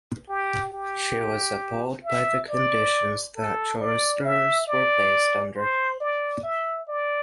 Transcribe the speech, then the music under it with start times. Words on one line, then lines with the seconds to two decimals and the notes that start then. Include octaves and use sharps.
She was appalled by the conditions that choristers were placed under.
0.29 G4
0.73 G4
2.04 E5
2.49 D5
3.36 A4
3.81 D5
4.24 E5
4.68 D5
5.56 C5
6.00 D5
6.43 E5
6.88 D5